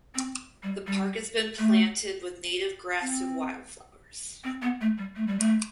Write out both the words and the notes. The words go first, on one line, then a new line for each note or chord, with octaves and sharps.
The park has been planted with native grass and wildflowers.
C4
G3
G3
A3
C4
C4
B3
A3
G3
A3
G3
A3